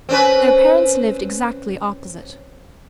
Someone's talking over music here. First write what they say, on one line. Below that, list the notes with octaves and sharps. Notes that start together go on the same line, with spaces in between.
Their parents lived exactly opposite.
C4 C#4 B4